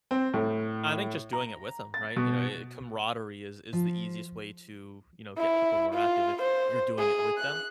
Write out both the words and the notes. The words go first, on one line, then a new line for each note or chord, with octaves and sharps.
I think just doing it with ‘em, right? You know, eh eh, camaraderie is is the easiest way to, you know, get people more active if you're doing it with them,
C4
A2
A#5
A6
B2
F3
E4
F4
C5
G#4
F#6